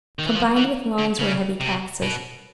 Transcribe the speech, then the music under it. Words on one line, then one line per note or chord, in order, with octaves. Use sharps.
Combined with loans were heavy taxes.
D#3
E3
F3
E3
D3
C#3
C3
B2